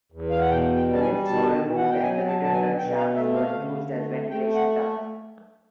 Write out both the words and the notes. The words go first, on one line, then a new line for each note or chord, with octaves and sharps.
The lifts were removed and the redundant shafts were used as ventilation ducts.
E2
F5
F#5
B2 G5
G5
G3
A5
G#5
B2 A5
B2
F#5
G5
F#3 G#5
A5
B2 A5
G#5
B2 G5
F5
A3 E5
F5
D3
A3
A3 G5
F#5